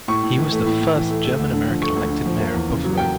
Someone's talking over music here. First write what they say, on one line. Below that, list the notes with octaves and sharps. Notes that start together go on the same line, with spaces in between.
He was the first German-American elected mayor of Buffalo.
A2 C#6
A2
E3
A3
A2
A2
E3
A3
A3
D2
D3
F3
A3 C#6
D2
D3
F3
A#3
E2
C#3
F#3
A#3 G5